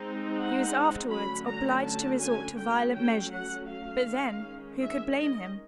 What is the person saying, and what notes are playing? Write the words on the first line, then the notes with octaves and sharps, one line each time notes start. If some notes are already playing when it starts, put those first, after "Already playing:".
He was afterwards obliged to resort to violent measures; but then, who could blame him?
Already playing: G#3 C4 D#4
F#5
D3 F#3 A3 C#4 B5
A#5
A5
G#5
F#3 A3 C#4 G5
G5
F#5
F5
D#3 G#3 C#4
E5
D#5